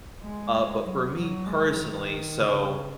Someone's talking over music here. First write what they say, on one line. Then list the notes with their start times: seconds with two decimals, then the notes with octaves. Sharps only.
Uh, but for me personally, so,
0.23 G#3
0.85 F#3
1.15 F#3
1.46 G#3
1.77 D#3
2.39 C#3